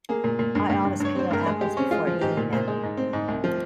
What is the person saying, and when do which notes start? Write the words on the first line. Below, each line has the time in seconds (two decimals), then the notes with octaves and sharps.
I always peel apples before eating them.
0.09 A#3 G#4
0.24 A#2
0.39 A#2
0.55 G2
0.70 G2
0.85 G2
1.00 G2 C#5
1.15 C4 C5
1.31 G2 A#4
1.46 G#3 G#4
1.61 G#3 G4
1.77 C4 C#4
1.91 G#3 F4
2.07 F3
2.21 G#2 G4
2.37 A#2
2.53 A#2 C5
2.68 G#3
2.83 G#2
2.97 C4
3.13 G#2
3.28 C2
3.44 F3